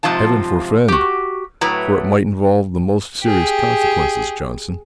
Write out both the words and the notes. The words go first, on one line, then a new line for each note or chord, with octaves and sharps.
"Heaven forfend! for it might involve the most serious consequences, Johnson."
G#2 C3 F3 F4 A5
F#4 G4
A2 F#3 E4 B4 A#5
G4 G#4